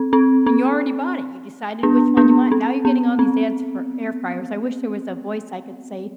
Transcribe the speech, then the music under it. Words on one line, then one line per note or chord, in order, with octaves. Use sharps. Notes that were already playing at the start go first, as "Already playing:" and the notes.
and you already bought it, you decided which one you want, now you're getting all these ads for air fryers, I wish there was a voice I could say,
Already playing: C4
C4
C4
B3 D4
B3 D4
C4
B3
C4